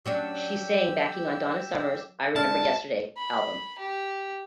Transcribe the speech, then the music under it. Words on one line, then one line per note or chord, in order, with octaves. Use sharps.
She sang backing on Donna Summer's "I Remember Yesterday" album.
F#3 C#4 D4 G4 E6
G#3 E4 D5 A5 F6 A6
B5
G4